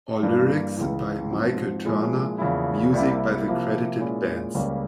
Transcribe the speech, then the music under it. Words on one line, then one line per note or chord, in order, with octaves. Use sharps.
All lyrics by Michael Turner, music by the credited bands.
G2 E3 A#3
C#2 C#3 E3
G#2 F3 C4
A#2 F3 G#3 E4
E2 C#3 F3 A#3 E4
C2 C3 G3 A#3 E4
C3 F3 A#3 E4
A#2 G#3 C#4 E4
C#2 C#3 G3 A#3 C#4